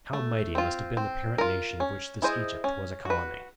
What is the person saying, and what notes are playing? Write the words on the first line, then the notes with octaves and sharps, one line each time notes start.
And how mighty must have been the parent nation of which this Egypt was a colony!
A3
C4 F4
C4
F4 A#4
C#4
E4 G#4 C5 D#5
C#4
F#4 B4